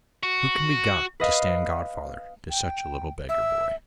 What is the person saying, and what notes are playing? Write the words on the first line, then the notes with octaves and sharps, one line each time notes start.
Who can be got to stand godfather to such a little beggar boy?'
F#4
B4 D#5 F5
G5
E5 E6